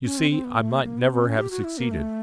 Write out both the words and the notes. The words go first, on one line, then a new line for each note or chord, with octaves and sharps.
You see, I might never have succeeded.
C#4
C4
C4
B3
A3
A#3
A#3
B3
C4
C#4
G4
F#4
E4
A#3
A3